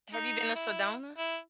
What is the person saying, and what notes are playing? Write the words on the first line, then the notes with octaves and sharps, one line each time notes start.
Have you been to Sedona?
D#4
E4
E4